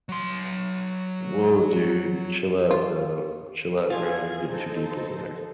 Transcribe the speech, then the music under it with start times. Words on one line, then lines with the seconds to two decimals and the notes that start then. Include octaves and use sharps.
Whoa, dude. Chill out bro, chill out bro, you're getting too deep over there.
0.09 F#3 C6
2.71 F4
3.90 F3 F4 G#4 F5 G#6
4.51 D#4 A4 C5